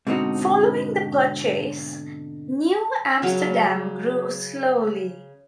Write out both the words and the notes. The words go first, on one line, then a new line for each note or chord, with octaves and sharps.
Following the purchase, New Amsterdam grew slowly.
G#2 B2 D3 C4 D#4 F#4
C#3 F#3 F5